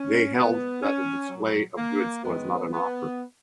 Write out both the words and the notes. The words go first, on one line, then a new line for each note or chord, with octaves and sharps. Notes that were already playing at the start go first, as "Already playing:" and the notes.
They held that the display of goods was not an offer.
Already playing: C#4
A#2 G#3 B3
C#4
A#2 F#3
A#3
F#2 D#3 G#3 B3
B3